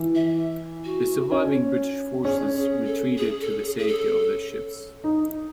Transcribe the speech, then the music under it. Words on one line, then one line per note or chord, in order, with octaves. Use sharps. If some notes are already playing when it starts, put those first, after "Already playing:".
The surviving British forces retreated to the safety of their ships.
Already playing: E3
E5
F#4
C#4
C#4 G#4
G#4
A4
G#4
A4
G#4
G#4
A4
D#4